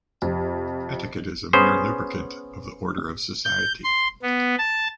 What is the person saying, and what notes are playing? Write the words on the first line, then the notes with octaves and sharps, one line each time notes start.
Etiquette is a mere lubricant of the order of society.
F2 C3
B3 C#4 G#4 C5
G6
C6
B3
A5